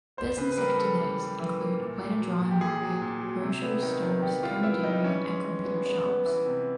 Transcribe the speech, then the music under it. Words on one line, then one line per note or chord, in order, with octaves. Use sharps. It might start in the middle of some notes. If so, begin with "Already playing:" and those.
Business activities include wet and dry market, grocery stores, carinderia and computer shops.
A#3 C5
C#3 B4
B4
G3 A#4
G3 A4
E3
G3
E3
A#3
A#2
A#2
F#3
A#2
G4
A#2 G#4
F#3
A#2
F#3
C3
B3
D#3
D#3
D#3 G4
B3 F4
B3 E4
G3 D#4
E3 C#4
G#3
G#3
B3
B3
B3
E3
C3